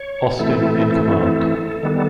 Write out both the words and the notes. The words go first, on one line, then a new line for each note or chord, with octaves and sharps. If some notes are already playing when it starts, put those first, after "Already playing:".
Austin in command.
Already playing: C#5
E3 A3 C4 E4 A4
D#3 G3 B3